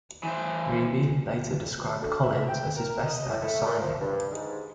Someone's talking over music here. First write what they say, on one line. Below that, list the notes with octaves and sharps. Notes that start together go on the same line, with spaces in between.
Revie later described Collins as his best ever signing.
E3 C5
D2
E5
G5
A#4
D#5
A2
A3
A#2
F3
G2
G#2